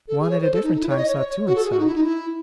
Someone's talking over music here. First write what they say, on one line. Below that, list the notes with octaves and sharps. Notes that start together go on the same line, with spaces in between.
One at a different time saw two inside.
A4
G#4
C#5
C5
A4
D#4
D#4
E4
C#5
D#5
C#5
C#5
C#5
F#4
A4
G#4
F#4
D#4
E4
D#4
E4